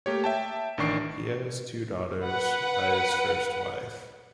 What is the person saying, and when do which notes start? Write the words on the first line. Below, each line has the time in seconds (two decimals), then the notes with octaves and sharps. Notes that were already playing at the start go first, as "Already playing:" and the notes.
He has two daughters by his first wife.
0.06 A3 A#3 G4 C#5
0.24 E5 G5 A5
0.78 A1 D#3 D4 C#6 C7 D7
2.22 B4 F#5